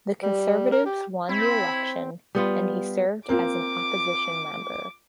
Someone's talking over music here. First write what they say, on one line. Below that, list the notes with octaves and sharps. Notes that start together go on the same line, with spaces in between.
The Conservatives won the election, and he served as an opposition member.
G3
A#4
G4
C4 E4 C#5 B5
G3 B3 F4
A#3 C4 F4 D6